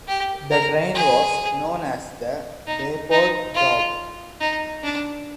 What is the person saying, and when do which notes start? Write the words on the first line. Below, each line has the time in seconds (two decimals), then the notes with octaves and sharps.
The train was known as the "Bayport Job".
0.08 G4
0.51 A#4
0.94 G#4
2.67 D#4
3.11 D#4
3.54 F4
4.41 D#4
4.84 D4